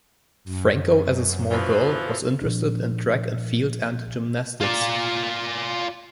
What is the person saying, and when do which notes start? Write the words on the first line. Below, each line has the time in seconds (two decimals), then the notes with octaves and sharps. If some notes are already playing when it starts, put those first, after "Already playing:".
Franco as a small girl was interested in track and field and gymnastics.
0.44 F#2
1.51 B2 E3 F3
2.42 A#2 F3 D4
4.60 F4 D5